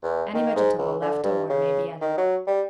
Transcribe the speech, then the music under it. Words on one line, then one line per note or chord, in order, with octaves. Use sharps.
Any vegetable left over may be added.
E2
D#3
G#2
C#2
D3
G2
C#3
D#3
F#3
G3